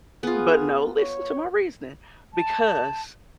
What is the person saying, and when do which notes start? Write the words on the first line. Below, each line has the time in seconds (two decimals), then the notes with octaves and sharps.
but no, listen to my reasoning because
0.23 B3 F4 G#4
0.99 C#5
2.34 A5